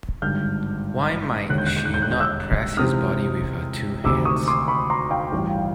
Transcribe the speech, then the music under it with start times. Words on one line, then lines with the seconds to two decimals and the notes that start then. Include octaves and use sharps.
Why might she not press his body with her two hands.
0.22 G#1 G2 D3 F6 G6
1.49 E1 D#2 D3 F#6
1.58 G6
1.66 F#6
1.76 G6
1.85 F#6
1.94 G6
2.02 F#6
2.11 G6
2.20 E6 F#6
2.77 C#2 C3 E3 D#6 F6
4.04 D2 C3 D#3 D6 E6
4.25 C#6 D#6
4.48 C6 D6
4.68 B5 C#6
4.90 A#5 C6
5.11 F5 G5
5.32 A1 G2 E3